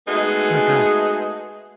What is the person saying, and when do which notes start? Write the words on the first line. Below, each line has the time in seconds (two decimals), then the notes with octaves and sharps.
Oh my god.
0.08 G#3 A3 B3 D#4 F#4 G#4